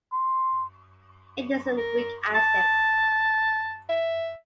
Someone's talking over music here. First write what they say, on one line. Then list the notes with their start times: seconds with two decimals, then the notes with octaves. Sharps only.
It is a weak acid.
0.12 C6
1.77 A#4
2.35 A5
3.89 E5